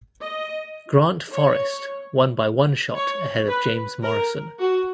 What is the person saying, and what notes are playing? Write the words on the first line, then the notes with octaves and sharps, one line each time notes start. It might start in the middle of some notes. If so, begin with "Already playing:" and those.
Grant Forrest won by one shot ahead of James Morrison.
D#5
C#5
C#5
B4
A#4
F#4